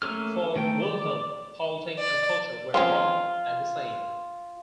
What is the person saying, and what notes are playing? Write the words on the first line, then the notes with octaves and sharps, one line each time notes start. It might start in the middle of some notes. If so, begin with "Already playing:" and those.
For Wilhelm, politics and culture were one and the same.
A3 A#3 C#4 A4 F6
D#3 A3 G5
D5
D5
F3 C4 C#4 F4